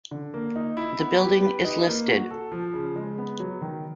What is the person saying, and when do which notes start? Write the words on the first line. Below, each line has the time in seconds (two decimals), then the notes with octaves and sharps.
The building is listed.
0.11 D3
0.34 A#3
0.56 D#4
0.77 E4
0.99 B3
1.21 G4
1.42 B4
1.65 D#4
1.87 A#3
2.08 F#4
2.31 A4
2.52 F3
2.74 C#3
2.96 G#3
3.18 B3
3.40 F#3
3.62 D#3